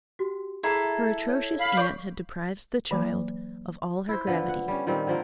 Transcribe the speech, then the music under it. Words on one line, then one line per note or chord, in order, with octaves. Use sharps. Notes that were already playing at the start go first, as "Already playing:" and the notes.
Her atrocious aunt had deprived the child of all her gravity.
F#4 G4
E4 G#4 A4 A#5 C7
C#5
F5 B5
C#5 D5 G6
E3 F#3 A#3
E4 C5
D3 F3 B3
F#5
G3 C#4
A#2 D#3 G3 C4
D3 F3 A#3